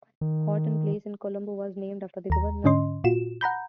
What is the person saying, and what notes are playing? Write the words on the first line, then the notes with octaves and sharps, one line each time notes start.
Horton Place in Colombo was named after the Governor.
D#3
D#2 A#5
G#2 D3 C#4 D#5 C6
A#2 F4 F#4 E7
F#5 A#5 B5 G6